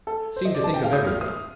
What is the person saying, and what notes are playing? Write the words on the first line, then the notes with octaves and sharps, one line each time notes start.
Seemed to think of everything.
A4
C5
D#5
D5
A5
G5
F5
D#6
F6
D#6